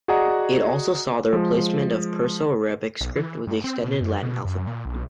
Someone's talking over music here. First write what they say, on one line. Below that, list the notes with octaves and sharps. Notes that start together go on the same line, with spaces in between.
It also saw the replacement of the Perso-Arabic script with the extended Latin alphabet.
F#4 G#4 D5 D#5 F#5 A#5
F3 G#3
B1
E3
G2
C4
B2
F#2
B2
F#2
A#2
B1